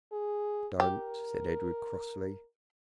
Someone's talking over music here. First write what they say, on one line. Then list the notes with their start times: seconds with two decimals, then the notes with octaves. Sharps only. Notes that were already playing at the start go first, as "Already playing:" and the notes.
"Don't!" said Edred crossly.
0.12 G#4
0.80 G4 A#4